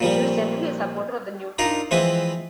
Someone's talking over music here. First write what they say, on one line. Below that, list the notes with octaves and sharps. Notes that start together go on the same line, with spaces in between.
She was generally a supporter of the New Deal.
A#2 F3 G3
D4 D#4 F4 A#4 D5
E3 F3 G#3 C4 B4